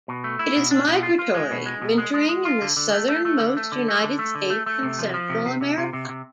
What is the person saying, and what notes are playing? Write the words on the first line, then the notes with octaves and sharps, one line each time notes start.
It is migratory, wintering in the southernmost United States and Central America.
B2
A3
E4
B2
D4
B2
F4
F4
G#3
B2
G#3
B2
G#3
G#3
G#3
F4
D3
D3
A3
A3
A3
D3
A3
D3
A3
D3
A3
D3
A3
A3
C3
F3
F3
C3
C3
C3
C3
C3
C3